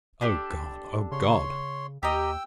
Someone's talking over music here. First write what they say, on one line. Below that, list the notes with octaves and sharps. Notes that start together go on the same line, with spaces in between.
O God! O God!
D4 G4 A4
C#3 C#5 C6
D#2 G4 A#4 D#5 G5 E6